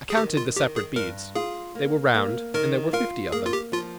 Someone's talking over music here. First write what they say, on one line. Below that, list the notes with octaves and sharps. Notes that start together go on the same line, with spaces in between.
I counted the separate beads—they were round and there were fifty of them.
G#4
D#3 G4
F4
D#3 G4
G#4
G2 A#4
F4 G#4
A#3
A#3
D#3 A#4
F4 A#4
A#3 G#4
F4
G4
F3 F4